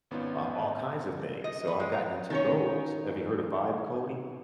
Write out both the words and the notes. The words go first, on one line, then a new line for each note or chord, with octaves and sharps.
a all kinds of things. So, I’ve gotten into those. Have you heard of vibe coding?
G#1 B3 C#4 D#4 F4
D#5
B4
G#3
A#5
D#3 C#4 C#5